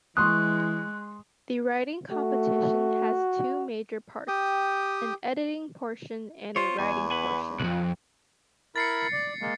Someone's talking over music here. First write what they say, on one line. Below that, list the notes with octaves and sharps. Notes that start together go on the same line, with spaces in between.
The writing competition has two major parts: an editing portion and a writing portion.
E3 G#3 C6 C#6 D#6 F#6
A3 F#4
G4 G5 D#6
F4 C5 C#5
E2 G#5
B4 F#5 G#5
C2 F2 F#6
E4 A#4 B5 A6 C7 C#7
D5
G#3 A#3